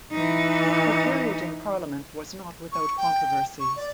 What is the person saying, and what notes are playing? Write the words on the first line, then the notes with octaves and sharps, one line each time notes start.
Her period in parliament was not without controversy.
E3 D#4
C#6
G5
C#6
D5